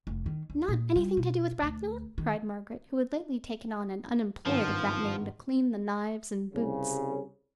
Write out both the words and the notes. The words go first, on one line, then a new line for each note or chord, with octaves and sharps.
"Not anything to do with Bracknell?" cried Margaret, who had lately taken on an unemployed of that name to clean the knives and boots.
F1
D#3
D#2
A#2
G3
B2
D2
D#3
G#1 G2 F3
C2 C#3